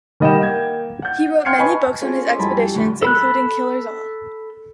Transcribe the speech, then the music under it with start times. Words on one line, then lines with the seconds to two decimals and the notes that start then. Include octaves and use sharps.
He wrote many books on his expeditions, including Killers All!
0.20 D#3 G3 D#5 F#5 G5 E7
0.40 A#3 G5 G#6
1.02 F#5 G6
1.45 G5 C6 F6 G#6 C7 C#7
1.59 B4 D#5 G#5 A5 B5 C#6
2.01 C#4 F4 G#4 A4 C5 C#5
2.26 D#5 E5 C6 D6
2.39 F2 G3 E4 G#5 A5 B5
2.57 G4
2.74 F2 A2 D3 G5
3.02 A4 B5 F#6